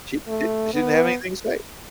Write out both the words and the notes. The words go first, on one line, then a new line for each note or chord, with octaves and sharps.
She d she didn't have anything to say.
A3
B3